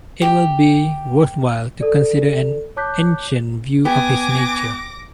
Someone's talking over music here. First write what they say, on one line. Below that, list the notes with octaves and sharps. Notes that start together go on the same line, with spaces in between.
It will be worthwhile to consider an ancient view of his nature.
G4
A4 D5
C#5 A5 D6 F#6 G6 B6
B3 G4 G#5 D6 A#6